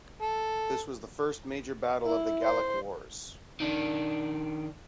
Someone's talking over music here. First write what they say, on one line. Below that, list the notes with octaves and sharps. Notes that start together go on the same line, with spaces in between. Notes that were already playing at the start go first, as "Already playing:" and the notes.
This was the first major battle of the Gallic Wars.
A4
E4
C5
D#3 D4